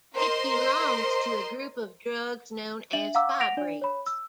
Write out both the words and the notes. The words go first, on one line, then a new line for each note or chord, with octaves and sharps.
It belongs to a group of drugs known as fibrates.
A#4 C5 D#5 C6
D4 E5 F#7
F5 F#5 A#5 D6 E6
F#5 A#6 D7 F7
D4 D5
C#5 B5
E6